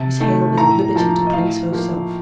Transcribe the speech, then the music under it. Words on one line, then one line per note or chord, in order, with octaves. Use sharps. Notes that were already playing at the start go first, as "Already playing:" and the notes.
Miss Hale is at liberty to please herself.'
Already playing: C3 A5
D#3 A3
A2 A#5
F3 A#3 A5
D#5
A2 F5
F3 A#3